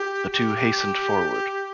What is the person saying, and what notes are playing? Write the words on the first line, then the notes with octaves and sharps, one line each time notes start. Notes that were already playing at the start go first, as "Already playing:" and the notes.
The two hastened forward.
Already playing: G4
G4